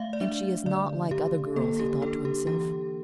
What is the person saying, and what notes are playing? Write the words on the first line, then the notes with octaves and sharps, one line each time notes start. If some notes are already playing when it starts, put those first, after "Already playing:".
"And she is not like other girls," he thought to himself.
Already playing: A3 E5 F5
D5
D4 E5
D3 D5
D3 G4
A#3 A4
G4
D4 A4
G4
E3 G4